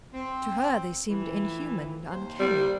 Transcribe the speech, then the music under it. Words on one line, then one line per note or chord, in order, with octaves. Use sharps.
To her they seemed inhuman and uncanny.
C4
F2 A2 E3
D#2 C3 C5
G3